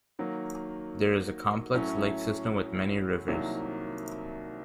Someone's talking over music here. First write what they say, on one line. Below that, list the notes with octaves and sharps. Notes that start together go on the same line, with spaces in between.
There is a complex lake system with many rivers.
D#3 F#3 A#3
A2 F#3 A3 C#4 E4
C2 C3 D#3 F#3 A#3